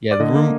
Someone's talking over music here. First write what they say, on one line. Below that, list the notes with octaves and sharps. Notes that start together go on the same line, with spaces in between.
Yeah, the room
D5
D3 D#5
A#3